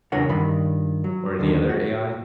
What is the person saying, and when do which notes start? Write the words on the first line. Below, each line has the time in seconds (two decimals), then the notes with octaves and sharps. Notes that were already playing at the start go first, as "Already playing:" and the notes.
or any other AI?
0.12 E2 C#3 D4 A#4 C#5 F#5
0.29 G2 D#3 B5
1.04 F#3
1.39 D#2 D3 D#3
1.69 F#4